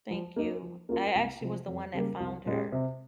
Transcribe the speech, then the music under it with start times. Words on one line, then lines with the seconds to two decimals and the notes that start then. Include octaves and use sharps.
Thank you. I actually was the one that found her
0.11 F3
0.36 A#3 D#4 A#4
0.63 F3
0.89 A#3 C#4 F4 A#4
1.15 C2
1.41 C3 F3
1.68 F2
1.94 C#3 G3 A#3
2.20 C2
2.46 A#2 G#3 C#4 G4
2.72 C3